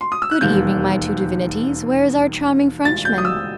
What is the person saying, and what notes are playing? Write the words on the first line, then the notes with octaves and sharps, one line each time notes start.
"Good evening, my two divinities, where is our charming Frenchman?"
C6
D#6
E6
F#6
E1 D#2 D#3 G3 G6
A6
G6
D#6
E6